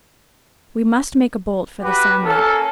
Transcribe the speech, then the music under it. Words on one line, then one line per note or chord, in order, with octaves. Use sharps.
We must make a bolt for the Psammead.
F#4 G4 B4
A#3 C#4 A4